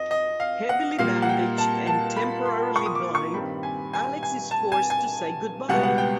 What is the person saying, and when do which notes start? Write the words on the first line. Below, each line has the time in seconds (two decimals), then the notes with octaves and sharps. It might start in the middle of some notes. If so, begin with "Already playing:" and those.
Heavily bandaged and temporarily blind, Alex is forced to say goodbye.
Already playing: F2 D#5
0.11 D#5
0.40 F5
0.69 F#5
0.99 A#2 G3 A#3 F5
1.22 F#5
1.29 G5
1.58 A5
1.87 A5
2.16 B5
2.45 C6
2.76 C#6
2.86 D#6
2.95 D6
3.15 C#6
3.34 G2 D#3 G3 C4 B5
3.63 G#5
3.93 G#5
4.23 G#5
4.51 A5
4.72 G#5
4.90 G#5
5.69 C#2 B2 G3 B3 F#5
5.83 F#5
5.98 G5